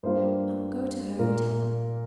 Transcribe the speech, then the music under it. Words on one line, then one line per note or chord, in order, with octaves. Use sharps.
'I will go to her, and tell her.
G2 G3 A#3 F4 C5
A#2 A#3 F4 A#4